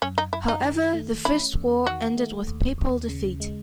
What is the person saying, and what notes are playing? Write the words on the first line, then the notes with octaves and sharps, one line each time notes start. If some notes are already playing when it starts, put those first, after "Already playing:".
However, the first war ended with Papal defeat.
F#2 C#4
D#4
F#2 E4
D#4
D#3
A3
C#4 E4
E2
D#3 F#4
A3
D#2
D#2
C#3
G#3